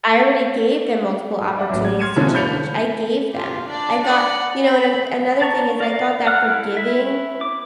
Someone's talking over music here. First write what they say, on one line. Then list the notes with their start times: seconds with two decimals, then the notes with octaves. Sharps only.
I already gave them multiple opportunities to change. I gave them. I thought you know, and an another thing is I thought that forgiving
1.57 D5 E5 F#5 D6
1.70 A1 F#3
1.85 G#6
1.99 C6 F6 G#6 C#7 D#7 E7
2.16 B2 D3 E3 A#3 C4 C#4
2.34 A#3 B5 G6 A6 C#7 F7
3.31 F4 G4
3.68 D4 D5
4.03 D5 F#5
4.62 B5
5.41 D5 A5 A#5 C#6
5.80 A#4 D5 F5
6.27 F#5 F6 F#6
6.46 E4 A4
6.77 E4 E5
7.41 D6